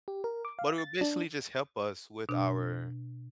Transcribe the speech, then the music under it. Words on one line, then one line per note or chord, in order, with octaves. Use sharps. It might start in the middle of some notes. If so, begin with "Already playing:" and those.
But it would basically just help us with our
G4
A#4
D6
F5
A6
D4
B2 D4